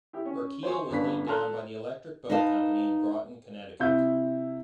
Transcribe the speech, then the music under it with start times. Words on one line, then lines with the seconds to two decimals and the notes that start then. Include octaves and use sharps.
Her keel was laid down by the Electric Boat Company in Groton, Connecticut.
0.13 E4 G4
0.25 C#4
0.63 C5 C#5 G#5 C6
0.90 G1 C#4 D4 F4 B4 B6
1.27 A4 A5 A#5 C6 F6 F#6
2.30 D#4 B4 D#5 F5 A5
3.80 C3 E4 G6